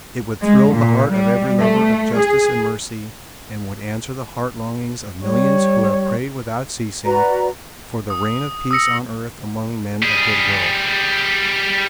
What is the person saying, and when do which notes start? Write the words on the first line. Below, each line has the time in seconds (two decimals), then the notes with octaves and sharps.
It would thrill the heart of every lover of justice and mercy and would answer the heart longings of millions who have prayed without ceasing for the reign of peace on earth among men of good will.
0.41 G#3
0.72 A#2
1.13 G3
1.59 A3
2.19 G#4
5.23 G3 C#5
7.05 F#4 B4 D5 A#5
8.10 D#6
8.71 D#6 E6 A#6 C#7
10.02 G3 G#4